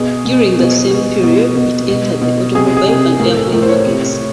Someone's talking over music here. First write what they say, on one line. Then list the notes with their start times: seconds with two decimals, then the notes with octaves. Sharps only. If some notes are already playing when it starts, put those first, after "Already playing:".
During the same period it entered the automobile and airplane markets.
Already playing: B2 G#4
0.25 B2
0.59 B2
0.91 B2
1.23 B2
1.56 B2
1.89 B2
2.22 B2
2.55 C3 G#4
2.77 G#4
2.88 C3
3.19 A2 A#4
3.36 A4
3.53 A2 A#4
3.63 C5
3.69 C#5
3.85 C3